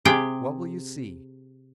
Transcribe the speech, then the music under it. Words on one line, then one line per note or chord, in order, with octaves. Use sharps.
What will you see?
C3 G4 G#4 G5